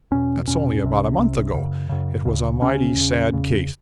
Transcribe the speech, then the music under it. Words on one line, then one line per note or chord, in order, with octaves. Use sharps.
That's only about a month ago; it was a mighty sad case.
E2 B2 C#4
E2 B2 C#4
C2 C3
C2 C3
F#2 C#3
F#2 C#3
D2 C#3
D2 C#3 C#4
E2 C#3
E2 C#3